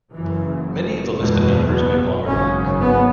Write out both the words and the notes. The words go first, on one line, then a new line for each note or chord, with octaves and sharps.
Many of the listed numbers no longer work.
F#1 F#2 C#3 E3
F#1 E2 B2 G#3
B3
G#1 F#2 C#3 C#4
B3